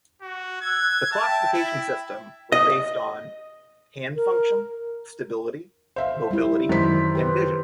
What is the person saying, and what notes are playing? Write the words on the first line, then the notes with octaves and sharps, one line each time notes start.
The classification system was based on: hand function, stability, mobility and vision.
F#4
E6 F#6 G#6
E5 G5 A5
E4
D#5
A#4
C5 E5 F5
G3 E4
F#2 D#3 E3 C5 B6
G4 B4 C5